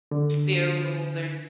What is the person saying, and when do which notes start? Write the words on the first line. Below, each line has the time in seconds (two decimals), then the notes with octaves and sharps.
fair rules, or
0.11 D3